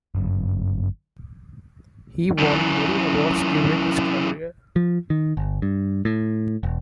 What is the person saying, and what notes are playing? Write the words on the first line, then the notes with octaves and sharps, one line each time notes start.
He won many awards during his career.
G1 F#2
F#2 E3
F3
D#3
G1
G2
A2
E1